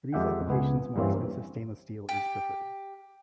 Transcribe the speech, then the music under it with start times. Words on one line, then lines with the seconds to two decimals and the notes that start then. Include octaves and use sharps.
For these applications, more expensive stainless steel is preferred.
0.12 F2 G#3 G4 E5 F#5 G5
0.47 C#2 B3 G#5
0.96 G2 E3 A#3 C4 C#4
2.09 G4